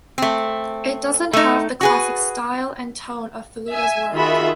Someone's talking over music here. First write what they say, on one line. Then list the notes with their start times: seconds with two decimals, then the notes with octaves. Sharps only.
It doesn't have the classic style and tone of Feluda's world.
0.18 A3 C4
1.33 A3 D#4
1.81 F#4 G#4 B4
3.72 E5 G#5
4.15 D#3 F4 F#4 G#4 E5 B5